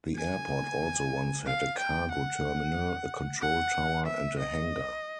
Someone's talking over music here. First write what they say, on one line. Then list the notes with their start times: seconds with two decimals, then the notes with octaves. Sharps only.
The airport also once had a cargo terminal, a control tower and a hangar.
0.16 G#5
1.46 F5
1.79 G5
2.11 F#5
3.41 F#5
4.06 E5
4.39 D#5